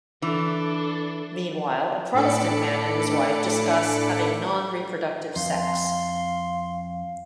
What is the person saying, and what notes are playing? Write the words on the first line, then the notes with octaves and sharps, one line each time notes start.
Meanwhile, a Protestant man and his wife discuss having non-reproductive sex.
E3 D4 A4
A2 D4 A4 B5 D6 C#7
F2 F5 C6